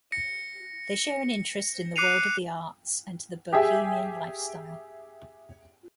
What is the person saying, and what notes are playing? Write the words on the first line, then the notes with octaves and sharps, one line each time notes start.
They share an interest in the world of the arts and the Bohemian lifestyle.
A#6 C#7
D6 F#6 C7 C#7 D#7 F7
G4 G#4 E5 G#5